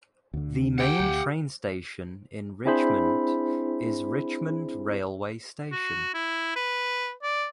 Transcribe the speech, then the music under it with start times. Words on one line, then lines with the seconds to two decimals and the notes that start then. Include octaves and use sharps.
The main train station in Richmond is Richmond railway station.
0.34 D2 D3
0.78 G4 F#5 G5
1.00 D2
2.65 C4 D4 E4 G#4 C5 B5
5.72 F#4
6.14 E4
6.56 B4
7.23 D5